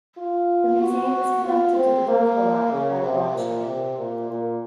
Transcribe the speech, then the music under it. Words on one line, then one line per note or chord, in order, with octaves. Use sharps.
The museum is connected to the Dovre Line by a branch line.
F4
F#4
F4
C4
A#3
C#3
C3
A#2
C3
A#2
A#2